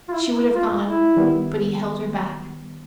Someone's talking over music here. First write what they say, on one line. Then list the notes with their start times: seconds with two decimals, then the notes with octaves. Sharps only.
She would have gone, but he held her back.
0.08 F4
0.13 E4
0.34 E4
0.55 F4
0.85 E4
1.16 D#3 G3 B3